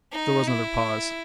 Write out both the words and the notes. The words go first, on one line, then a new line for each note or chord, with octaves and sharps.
There was another pause.
D#4
E4